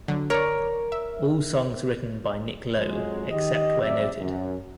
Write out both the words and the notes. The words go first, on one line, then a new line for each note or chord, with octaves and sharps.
All songs written by Nick Lowe except where noted.
D3 F#3
A#4 C#5 D5
E5
F2 F#3 G#3
D#3 G4 D#5
F#2 C3 D5 E5
F#2